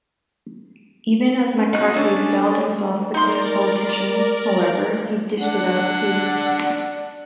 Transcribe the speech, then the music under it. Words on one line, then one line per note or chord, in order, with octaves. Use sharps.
Even as McCarthy styled himself the clean politician, however, he dished it out, too.
C#4
D#4 F#4
C#4 D4 A4
D#4 A#4 D5 C6
D4 F#5